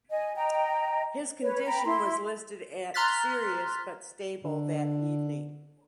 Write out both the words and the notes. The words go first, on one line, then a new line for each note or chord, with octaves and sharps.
His condition was listed at serious but stable that evening.
D#5 G#5
D#5 G5 A#5
B4 C#5
G5 A#5 B5
E4 C6
A#5 C6 F6 F#6 A6 B6
D3